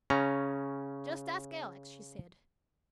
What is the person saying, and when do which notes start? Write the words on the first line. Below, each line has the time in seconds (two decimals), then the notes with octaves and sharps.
"Just ask Alex," she said.
0.10 C#3 C#4 A#5